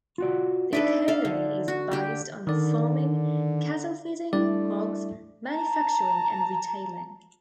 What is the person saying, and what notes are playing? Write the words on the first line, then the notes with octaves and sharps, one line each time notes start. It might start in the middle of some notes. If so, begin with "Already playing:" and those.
The economy is based on farming, cattle feeding, hogs, manufacturing and retailing.
F4 F#4 D5
D4 D#4 A4 B4 D5 E5
A4 F5
D3
F#4
D3 G4
D3 D#3 D5
G3 A3 D4 E4 D5
A5 A#5